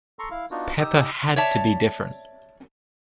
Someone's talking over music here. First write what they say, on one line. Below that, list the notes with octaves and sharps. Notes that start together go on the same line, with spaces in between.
Pepper had to be different.
A4 A#5 C6 C#6
E4 F5
B3 D4 D#4 F4 F#4
D#4 G4 D#6 E6
C#5 D5 E5 A5